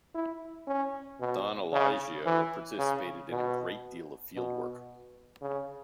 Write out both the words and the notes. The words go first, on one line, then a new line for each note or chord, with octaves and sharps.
Don Elijio participated in a great deal of field work.
E4
C#4
B2
C#3
E3
C#3
B2
B2
C#3